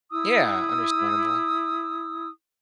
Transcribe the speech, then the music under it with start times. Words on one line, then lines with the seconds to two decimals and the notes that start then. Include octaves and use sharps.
Yeah, understandable.
0.10 E4 D#6 E6